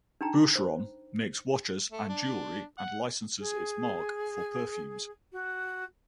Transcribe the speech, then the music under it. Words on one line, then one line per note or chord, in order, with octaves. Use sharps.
Boucheron makes watches, and jewellery, and licenses its marque for perfumes.
D4 D#4 G5 A#5
C5
A3
D4
F#5
G#4
F#4